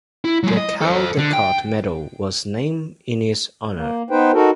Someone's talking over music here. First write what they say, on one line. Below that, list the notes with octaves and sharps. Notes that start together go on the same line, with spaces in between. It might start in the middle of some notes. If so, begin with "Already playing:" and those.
The Caldecott Medal was named in his honour.
E4
F#3 G#3
D#5
A4 C5
D3
G5
A#3
B3 D#4 B4 C5 G5
D#4 F#4 A4 A#4